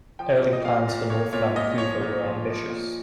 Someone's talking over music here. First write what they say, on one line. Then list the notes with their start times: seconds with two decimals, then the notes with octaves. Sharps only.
Early plans for North Vancouver were ambitious.
0.19 F3 G5
0.42 A#2
0.53 D#5
0.65 A#2 F5
0.87 A#2
1.10 A#2 C#5
1.33 A#2 C#5
1.56 A#2 D#5
1.78 F3 C#5
2.01 A#2
2.24 F3
2.47 F3
2.69 A#2